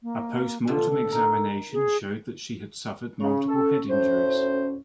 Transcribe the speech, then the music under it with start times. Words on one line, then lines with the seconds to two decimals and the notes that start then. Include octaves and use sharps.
A post mortem examination showed that she had suffered multiple head injuries.
0.03 A#3
0.67 B2 D3 A3 F4
0.91 A4
1.12 D#4 A#4
1.73 G#4
3.21 C#3 C#4
3.48 A4
3.90 D2 A2 C5